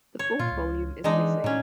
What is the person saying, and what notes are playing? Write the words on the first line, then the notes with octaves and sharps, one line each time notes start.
The fourth volume is missing.
C#5
A#2 F4
C#2
E3 G#3 D4 D#4
A2 F#3 C#4